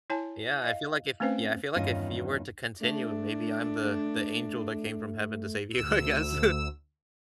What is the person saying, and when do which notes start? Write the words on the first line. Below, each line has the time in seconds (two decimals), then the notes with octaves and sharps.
Yeah, I feel like if yeah, I feel like if you were to continue, maybe I'm the the angel that came from heaven to save you, I guess,
0.10 E4 C#5 G#5 A5
0.64 D#5 F5
1.20 A3 C4 C#4 B4 C5 F5
1.75 E2 G2 D#3 C#4 F4 D#5
2.81 A3 D4
5.72 D2 E6